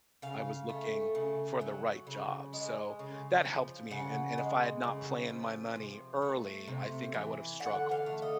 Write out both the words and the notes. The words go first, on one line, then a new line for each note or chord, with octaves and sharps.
I was looking for the right job, so, that helped me, and and if I had not planned my money early, I think I would've struggled,
C#3 F5
A3
C#3
F#3
C#3
G#3
C#3
F3
C#3 F#5
G#3
C#3
F3
C3
A3
C3
E3
D3 F#5
F5
A3
D#5